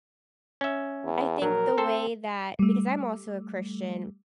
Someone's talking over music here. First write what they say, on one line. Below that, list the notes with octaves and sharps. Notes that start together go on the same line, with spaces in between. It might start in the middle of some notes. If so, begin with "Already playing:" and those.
I think the way that because I'm also a Christian,
C#4 E5
E2
A#1 F#3 A#4
C4 A4 C5
G3 A3